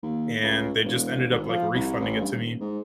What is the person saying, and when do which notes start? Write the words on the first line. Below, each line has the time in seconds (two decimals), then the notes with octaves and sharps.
and they just ended up, like, refunding it to me
0.03 D#2
0.43 C#2
0.84 E1
1.30 G#1
1.49 F3
1.74 C2
2.00 A1
2.21 G2
2.33 D#1
2.60 G#2